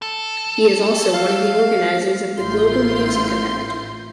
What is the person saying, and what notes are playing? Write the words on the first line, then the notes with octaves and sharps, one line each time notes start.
He is also one of the organizers of the Global Music event.
A4
F5
A1 A2 E4 F4 C6 G6